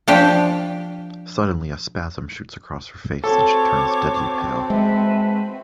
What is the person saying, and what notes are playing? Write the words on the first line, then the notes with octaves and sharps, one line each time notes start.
Suddenly a spasm shoots across her face and she turns deadly pale.
F3 D4 G4
C4 F#4 A4 C#5 C#6 D6
G#3 B4 E5